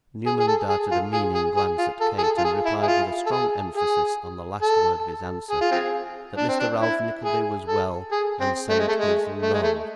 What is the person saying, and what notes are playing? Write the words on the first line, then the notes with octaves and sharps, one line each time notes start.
Newman darted a meaning glance at Kate, and replied with a strong emphasis on the last word of his answer, that Mr Ralph Nickleby was well, and sent his LOVE.
G#4
G#4
A4
G#4
F4
G#4
G#4
G#4
F4
A4
G#4
A4
F4
G#4
E4
G#4
F4
A4
G#4
G#4
A4
G#4
F4
C4 F4 G#4
D4
C4
D4
E4
G#4
A4
G#4
C4
A3
G#3
A3
G#3
A3
G#3
A3